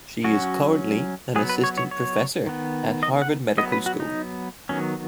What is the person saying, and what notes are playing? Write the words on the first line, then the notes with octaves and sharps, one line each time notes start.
She is currently an Assistant Professor at Harvard Medical School.
F#3 C#4 F#4
F#3 B3 G#4
B4
C#5
C#5
C#5
D#3 B3
D#5
F#5
F#3 B3 D#5
B4
F#4
D#4
D#3 F#3 B3 C#4